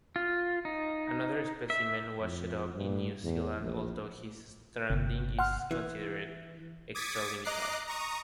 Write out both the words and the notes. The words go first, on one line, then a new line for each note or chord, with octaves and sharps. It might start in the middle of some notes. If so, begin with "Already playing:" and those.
Another specimen washed up in New Zealand, although this stranding is considered extralimital.
F4
D#4
E5
F2
G2
E2
A#1
G1 C3
F#5 C6 F6
E3
D6 D#6 G#6 A6 B6 C#7
D#5 A#5 D6 F#6 C7
A#5 C#6 D#6